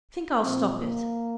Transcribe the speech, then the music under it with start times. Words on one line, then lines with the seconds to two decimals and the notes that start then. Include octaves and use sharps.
I think I'll stop it.
0.41 A#2 F3 C4
0.79 A#3